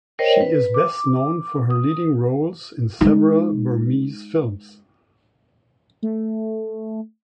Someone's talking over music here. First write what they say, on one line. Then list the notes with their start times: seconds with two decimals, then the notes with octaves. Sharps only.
She is best known for her leading roles in several Burmese films.
0.19 A#4 C5 C#5 D#5 G5
0.41 B4
0.74 D6
1.70 D#6
3.01 G#3 D#4
6.02 A3